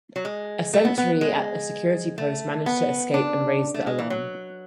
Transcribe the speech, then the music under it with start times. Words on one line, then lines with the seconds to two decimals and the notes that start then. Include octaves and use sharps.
A sentry at a security post managed to escape and raise the alarm.
0.16 F#3
0.25 G#3
0.74 A3
0.85 B3
0.98 B3
1.21 G#3
2.18 A3
2.66 B3
3.14 D4
3.74 A3
3.87 G#3
3.99 E3
4.10 F#3